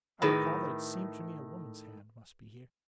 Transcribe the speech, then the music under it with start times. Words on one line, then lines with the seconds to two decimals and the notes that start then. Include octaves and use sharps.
I recall that it seemed to me a woman's hand must be here.
0.22 A2 D#3 G#4 B4 B5